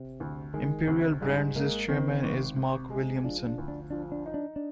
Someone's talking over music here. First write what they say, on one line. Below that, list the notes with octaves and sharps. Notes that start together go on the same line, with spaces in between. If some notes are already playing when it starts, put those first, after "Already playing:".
Imperial Brands' chairman is Mark Williamson.
Already playing: C3
D2
D#3 G#3
D2 C3
G#2 G3
G#3 A#3
D#3 C4
G#1
C3
G#3
F3 D4
D4
D2
D4
F3 D4
D4
D#4
D4
D4